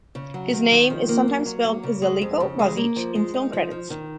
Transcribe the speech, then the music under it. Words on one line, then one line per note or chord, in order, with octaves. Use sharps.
His name is sometimes spelled Zeliko Bozich in film credits.
C#3
F#3
D#3
D#3
F3
A#3
F#3
F#3
A#3
C#3
G#3
F2
C#3
G#3
A#3
F3
G#3
D#4
F3
F3
D#3